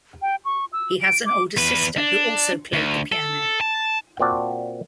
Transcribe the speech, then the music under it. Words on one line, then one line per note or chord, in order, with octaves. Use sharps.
He has an older sister who also played the piano.
G5
C#6
E6
D7
D6
E2 B4
D4
D2
A4
A5
A#2 C4 F#4 D5 A5